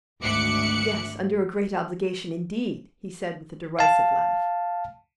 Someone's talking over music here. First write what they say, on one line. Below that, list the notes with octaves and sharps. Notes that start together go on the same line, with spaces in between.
"Yes, under a great obligation, indeed!" he said with a derisive laugh.
G#1 D2 E5 D6 F#6 C#7
F5 A5